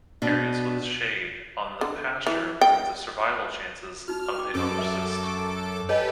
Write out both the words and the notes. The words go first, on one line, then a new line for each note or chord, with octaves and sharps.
Areas with shade on the pasture improve the survival chances of the oocyst.
B2 D4
D3
E3
G5
D#4 F#4 F6
G5 D6
F#2 C#4 A4 D6
A#4 E5 E6
C#6
G4 A4 B4 C#5 D#5 G#5